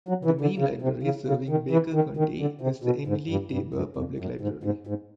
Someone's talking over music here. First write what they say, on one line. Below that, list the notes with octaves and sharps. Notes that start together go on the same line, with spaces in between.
The main library serving Baker County is the Emily Taber Public Library.
F#3
E3
D3
C#3
C3
C#3
C#3
D#3
E3
D#3
D#3
D3
C3
B2
G#2
G2
G2
F#2
F2
F#2
G#2
G#2
G#2